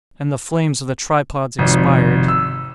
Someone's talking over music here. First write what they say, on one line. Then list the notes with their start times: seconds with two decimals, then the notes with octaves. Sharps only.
And the flames of the tripods expired.
1.59 G#1 F2 C3
2.28 E6